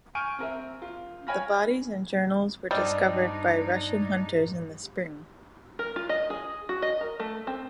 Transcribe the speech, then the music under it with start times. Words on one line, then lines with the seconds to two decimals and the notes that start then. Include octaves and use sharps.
The bodies and journals were discovered by Russian hunters in the spring.
0.15 G#5 C#6 F6 G6 D7 D#7
0.39 C4 A#4 E5
0.82 F4
1.27 C#5 G5 G#5 B5 F6 A#6
2.71 G2 G3 C4 D4 D#4 D#5
5.79 A#4
5.96 F4
6.09 D#5
6.30 G#4
6.69 F#4
6.82 D#5
7.01 A#4
7.20 A3
7.47 C4